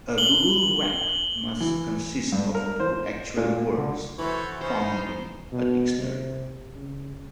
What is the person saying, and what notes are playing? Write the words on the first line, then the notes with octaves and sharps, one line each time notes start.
A Googlewhack must consist of two actual words found in a dictionary.
F#7 G7
E3
G2
A#4
C5
A#2
D3
E3 A3 F#4 C5 C#5 B5
B3 C#4 D#4 C5
B2
C3
C#3